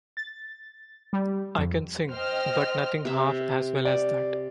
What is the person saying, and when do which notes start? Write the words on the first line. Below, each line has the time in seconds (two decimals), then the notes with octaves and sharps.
I can sing, but nothing half as well as that.
0.17 A6
1.13 G3
1.58 F2
2.12 C5 D#5 G5 F6
3.05 C3 E5
3.85 D5